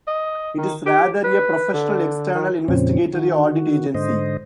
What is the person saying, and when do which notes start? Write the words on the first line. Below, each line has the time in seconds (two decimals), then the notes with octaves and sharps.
It is rather a professional external investigatory audit agency.
0.07 D#5
0.58 D#3
0.86 G4
1.24 B4
1.74 D3
2.35 D#3
2.68 F2 A#2 C#3 F3 C4 C#4
3.13 D#3 F#4
3.95 G#2 D3 C5 D#5